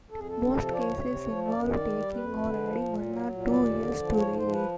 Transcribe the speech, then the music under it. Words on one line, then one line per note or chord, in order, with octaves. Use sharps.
Most cases involve taking or adding one or two years to their age.
F2 A4
G#4
A4
C3
F3
D5
D2 C#5
C3
F3
F#2 D5
D#3 D5
G3
F2 B4
D3
F3
A#2
F#3
A#2
D#2 D5
D3
F3
G#2 C#5
C5
F3
B4